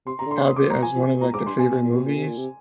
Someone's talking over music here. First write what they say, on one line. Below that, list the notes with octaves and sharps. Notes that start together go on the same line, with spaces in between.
have it as one of, like, their favorite movies,
C3 C6
C3 A#5
D3
C6
D#6
D6
A#5
F3 G#5
F3
C3
A#2 A#5
G#2 D6
G2 C6
C3 G#5
C3
A#2
C3
A#2
C3
A#2
C3